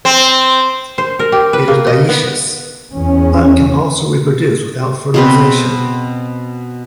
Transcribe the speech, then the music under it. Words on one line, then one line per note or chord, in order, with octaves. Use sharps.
It is dioecious, but can also reproduce without fertilisation.
C4
C5
A#4
G4
B4
A#3
D#5
B3
E2 C#4
B2 C4 B4